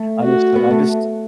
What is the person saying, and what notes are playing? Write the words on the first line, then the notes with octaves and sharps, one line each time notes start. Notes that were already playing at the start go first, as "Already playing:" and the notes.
Understood, I'm just
Already playing: A3
F#4
B3
A3